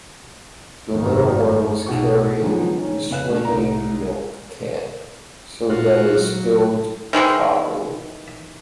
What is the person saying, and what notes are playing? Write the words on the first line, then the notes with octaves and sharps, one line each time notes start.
Die little one was carrying the swinging milk can, so that it spilled properly.
G#1 F#2 D#3
B1 G#2 B2 G#4 C#6
D3 D#3 F3 F#3 G#3 B3
D#3 C#4
F2 C#3 B4 F5 F#6 E7
A3 D4
C2 D#4 A#5
A#2 F4 F#4
F#3
D#3 E3 F#3 G#3